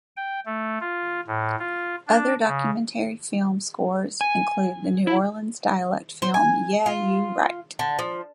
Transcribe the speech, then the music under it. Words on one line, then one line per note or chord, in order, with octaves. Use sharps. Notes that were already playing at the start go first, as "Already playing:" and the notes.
Other documentary film scores include the New Orleans dialect film Yeah You Rite!
G5
A3
F4
A2
F4
D4
C#3
G#5
E4
C5
G#5
F4
D3
F3